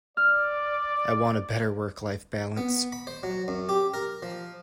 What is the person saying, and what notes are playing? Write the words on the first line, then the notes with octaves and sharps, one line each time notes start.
I want a better work-life balance.
D5 F6
B3
B5
C5
F#3
F#2
G4
A#4
F3